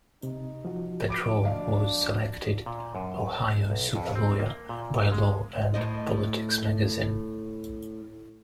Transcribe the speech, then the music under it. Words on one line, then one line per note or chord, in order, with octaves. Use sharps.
Petro was selected "Ohio Super Lawyer" by Law and Politics magazine.
C3 D#4
F3 F#4
B5 D6 D7
D2 D4 D#5 F5
A#2
F#2
A5
B1
F2
C4
A#3
A#2
G#3
A2 C5 D#5